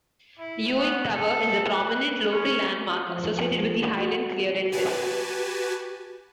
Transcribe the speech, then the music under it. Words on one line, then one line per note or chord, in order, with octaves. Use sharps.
Uig Tower is a prominent local landmark associated with the Highland Clearances.
E4
B3
A4
B4
C#4
F3
F#4
F#4 G4 B4 G#5 A5